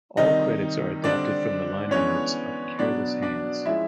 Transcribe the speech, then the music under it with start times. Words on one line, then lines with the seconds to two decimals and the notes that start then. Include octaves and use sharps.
All credits are adapted from the liner notes of "Careless Hands".
0.17 C3 D#3 G3 D#4 D#5
1.04 D3 G3 C4 D4 D5
1.91 E3 G#3 B3 C#4 D4 C#5
2.79 B2 F#3 B3 D4 D5
3.22 D4 D5
3.66 F3 G#3 C#4 E4 E5